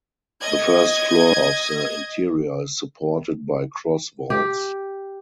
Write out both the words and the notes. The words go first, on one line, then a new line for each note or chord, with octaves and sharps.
The first floor of the interior is supported by cross vaults.
D#5 G#6
G4